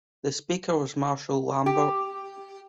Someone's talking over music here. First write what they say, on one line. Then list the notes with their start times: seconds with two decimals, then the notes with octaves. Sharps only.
The Speaker was Marcel Lambert.
1.66 G4